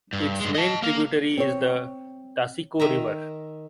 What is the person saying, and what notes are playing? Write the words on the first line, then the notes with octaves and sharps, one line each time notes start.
Its main tributary is the Taseko River.
G2
G2 G#3
D#5 A5
A#3 A#4
C4 C#5
D#3 E5 A#5